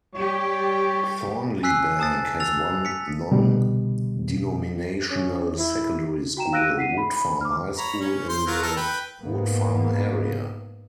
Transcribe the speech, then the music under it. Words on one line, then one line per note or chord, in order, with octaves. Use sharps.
Thornliebank has one non-denominational secondary school, Woodfarm High School in the Woodfarm area.
G3 G4 C#5
G#5 E6 F#6 B6 C7
A5 D#6 A6
E6 A6 F7
B6 C#7
C2 B2 D3 G3
C#4
E4
F#4 G5 A#5 E7
F5 E6 F#6 A#6 D7 D#7
F#5 B6 C7 D#7
B5
B5
D6 F6
C#5 A#5 B5
C#4
C5 C6
F#3 F4 A#4
A4 A#4
B4 G5
G#2 A#3 B3